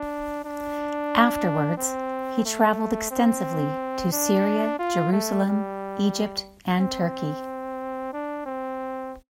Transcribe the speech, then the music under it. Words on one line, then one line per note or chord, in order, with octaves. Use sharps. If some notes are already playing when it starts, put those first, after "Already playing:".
Afterwards, he traveled extensively to Syria, Jerusalem, Egypt and Turkey.
Already playing: D4
D4
C4
A3
C4
D4
F4
A3
G3
C4
D4
C4